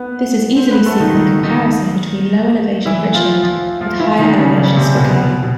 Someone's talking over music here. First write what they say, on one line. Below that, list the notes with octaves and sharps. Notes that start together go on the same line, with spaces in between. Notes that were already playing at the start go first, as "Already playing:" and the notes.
This is easily seen in the comparison between low-elevation Richland with higher elevation Spokane.
Already playing: B3 B4
C4 C5
B3 B4
A3 A4
D#3 D#4
D#3 D#4
D#3 D#4
E3 E4
F3 F4
F3 F4
F3 F4
E3 E4
D#3 D#4
D4
C#3 C#4
C#3 C#4
C#4
C3 C4
B2 B3
B2 B3
B2